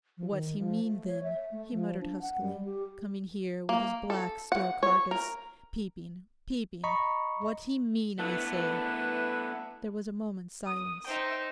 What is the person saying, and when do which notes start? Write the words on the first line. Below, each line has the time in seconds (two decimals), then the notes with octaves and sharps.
'What's he mean, then,' he muttered huskily, 'coming here with his black, still carcase--peeping, peeping--what's he mean, I say?' There was a moment's silence.
0.18 F3
0.31 D#3
0.58 F3
0.88 A3
1.07 C#5
1.23 E5
1.52 A3
1.74 F3
2.00 D4
2.21 F#5
2.41 G3
2.65 G4
3.69 A#3
4.10 A4
4.52 F#5
4.83 C#5
5.11 A#4
6.84 D#5 A#5 B5 C#6
8.19 A3 B3 D4 E4 B4
10.66 D#6
11.06 D#4 C5 E5 G5